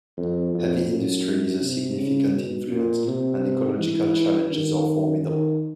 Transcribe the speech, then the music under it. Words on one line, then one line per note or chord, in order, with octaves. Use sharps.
Heavy industry is a significant influence, and ecological challenges are formidable.
F2
F2
F#2
C3
C#3
B2
A#2
C3
E3
D#3
D#3